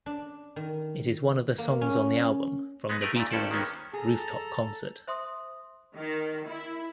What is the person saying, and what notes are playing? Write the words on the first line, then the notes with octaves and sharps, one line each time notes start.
It is one of the songs on the album from the Beatles' rooftop concert.
D4
D#3
A#3
C#4
G#3 B3 D#4
A3 G4 A#4 B4
A#2 A3
G#1 G2 C#4 A4 C5 D5
D#3 A#3 B3 C#4
G#4 A4 A#5
C5 E5 C6 D#6
D#3
E4